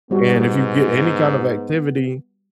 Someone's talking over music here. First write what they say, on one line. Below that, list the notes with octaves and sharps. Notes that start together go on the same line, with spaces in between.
and if you get any kind of activity
G#2 G3 B3 F#4